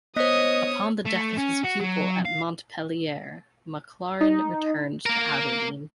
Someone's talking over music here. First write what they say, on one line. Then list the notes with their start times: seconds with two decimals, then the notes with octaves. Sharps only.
Upon the death of his pupil at Montpellier, Maclaurin returned to Aberdeen.
0.16 B3 C5 C#5 D#5 D#6
1.06 A3
1.38 C#4
1.64 F#4
1.80 F#3
2.25 F5
4.21 D#4
5.06 A#3 A#4